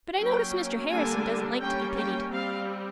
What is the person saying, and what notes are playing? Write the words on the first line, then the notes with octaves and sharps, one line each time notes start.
But I notice Mr. Harrison doesn't like to be pitied.
F#3 A#3 C#4 G5
D3 G3 A#3 D4 G#5
G3 A#3 C#4 G5
G5
G3 C4 F5